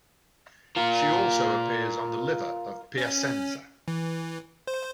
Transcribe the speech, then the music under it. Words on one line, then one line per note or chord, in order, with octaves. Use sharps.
She also appears on the Liver of Piacenza.
F4 A#4
C#4
E3
C5